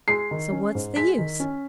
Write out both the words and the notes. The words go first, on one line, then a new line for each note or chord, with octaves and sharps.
So what's the use?
G#3 C7
D#3
C#4
G#2
G#3 B6
D#3
C#4